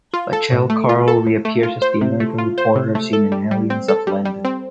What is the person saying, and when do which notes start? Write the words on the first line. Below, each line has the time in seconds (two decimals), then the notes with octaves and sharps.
Lachele Carl reappears as the American reporter seen in "Aliens of London".
0.13 F4
0.33 A4
0.52 A2
0.70 A3
0.89 F4
1.08 A4
1.26 A2
1.45 A3
1.63 F4
1.82 C5
2.01 C3
2.20 A3
2.38 F4
2.58 C5
2.75 C3
2.95 A3
3.13 A4
3.32 G3
3.51 G3
3.70 C4
3.88 A4
4.07 G3
4.25 G3
4.45 C4